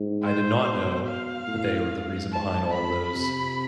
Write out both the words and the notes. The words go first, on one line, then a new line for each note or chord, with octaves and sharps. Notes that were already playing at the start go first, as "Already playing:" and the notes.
I did not know that they were the reason behind all those,
Already playing: G#2
C5
B2
F5
A2
G#2
A5
F2 B5
C3